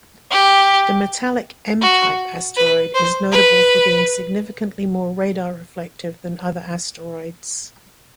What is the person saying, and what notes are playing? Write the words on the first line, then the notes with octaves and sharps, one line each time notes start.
The metallic M-type asteroid is notable for being significantly more radar-reflective than other asteroids.
G4
F#4
B4
C5
B4